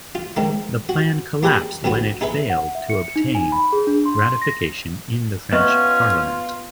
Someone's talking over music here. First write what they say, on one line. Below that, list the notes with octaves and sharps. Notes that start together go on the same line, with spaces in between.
The plan collapsed when it failed to obtain ratification in the French Parliament.
F4
G#2 D#3 A#3
F#4
A#3 G4 G#4 A#4 D5 B5
A#1 D3 B3 F#4
D#4 G#4 B4 E5
F#5
E5
C#7
D#4
G#5
B5
G#4
D4
C6
A#6
B3 C#4 F4 D#5 E5 C#6